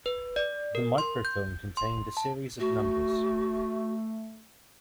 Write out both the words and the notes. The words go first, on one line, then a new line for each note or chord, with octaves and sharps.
The microfilm contained a series of numbers.
B4
D5
A#4
C6
G6
C6
A5
A3 F#4